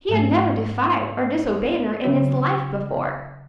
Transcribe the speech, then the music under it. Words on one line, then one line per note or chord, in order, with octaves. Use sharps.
He had never defied or disobeyed her in his life before.
G#2 F#3 A3
C#3 F#3 C#4 F#4 C#5